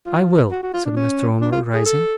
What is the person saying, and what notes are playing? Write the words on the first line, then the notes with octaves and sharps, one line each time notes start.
'I will,' said Mr. Omer, rising.
F4
F#4
F#4
F4
D4
C#4
D4
F4
G#4
A4